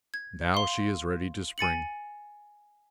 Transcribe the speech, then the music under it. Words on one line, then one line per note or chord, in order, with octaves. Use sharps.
Now she is ready to spring.
G#6
F5 C6
G#5 A6 C#7 F#7